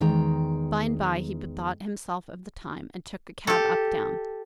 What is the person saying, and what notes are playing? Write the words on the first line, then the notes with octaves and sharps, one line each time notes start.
By and bye he bethought himself of the time, and took a cab uptown.
E2 D#3 G#3 G5 A#5
G4 A4